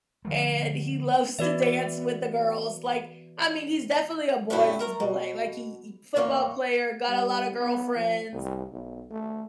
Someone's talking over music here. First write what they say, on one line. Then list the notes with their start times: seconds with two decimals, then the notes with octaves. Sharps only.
and he loves to dance with the girls, like, I mean, he's definitely a boy's boy, like, he he football player, got a lotta girlfriends,
0.25 D3 F3 A3
1.39 E3 B3 F#4 B4 D5 E5
4.50 G2 B2 F#3 A3 C#4 E4
4.79 A3 A#4 A#5
5.00 B2
6.16 E2 A2 A#3 C#5
7.08 G3
7.56 B3
7.96 F3
8.32 C2
8.72 B1
9.11 A3